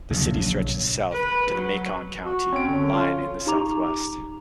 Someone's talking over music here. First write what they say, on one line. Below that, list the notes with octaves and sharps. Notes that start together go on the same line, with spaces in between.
The city stretches south to the Macon County line in the southwest.
A#1 C#3 F#3
B4
F#3
F#4
C4 C#4 D7
D3
F4
D#4 G4 A#5 D6 F7